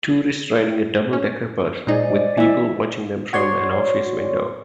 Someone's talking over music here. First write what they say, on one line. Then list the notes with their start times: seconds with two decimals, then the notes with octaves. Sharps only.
Tourists riding a double decker bus with people watching them from an office window.
1.13 C#4
1.87 A#2 G#3 D#4 G#4 C5 D5 D#5
2.37 E3 E5
3.33 F#4 C#5 D5 C6